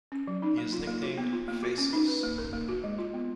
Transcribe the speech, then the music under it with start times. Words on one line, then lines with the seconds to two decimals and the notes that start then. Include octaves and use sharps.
He is nicknamed "Faceless".
0.12 C#4
0.27 F#3
0.42 D#4
0.58 A#3
0.73 F4
0.88 A#3
1.03 F#4
1.18 B3
1.33 F4
1.48 A#3
1.63 F#4
1.78 C#4
1.93 D#4
2.08 B4
2.23 A#3
2.38 A#4
2.53 A#3
2.68 F#4
2.84 G#3
2.98 F4
3.14 B3